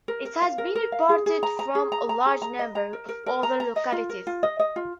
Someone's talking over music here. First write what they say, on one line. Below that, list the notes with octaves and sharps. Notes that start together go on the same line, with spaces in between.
It has been reported from a large number of other localities.
A#4
A#4
F5
A#4
A#4
F5
G#4
G#4
A#5
A#5
G#4
A#5
A#5
G#4
A#5
D#5
A#5
A#4
A#4
A#4
A#5
A#5
D#5
F4
A#4
F4
D#5
D#5
F4